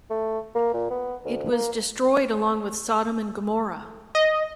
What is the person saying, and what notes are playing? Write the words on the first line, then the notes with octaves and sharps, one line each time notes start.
It was destroyed along with Sodom and Gomorrah.
A3
A#3
A#2
B3
D2
A#3
D#5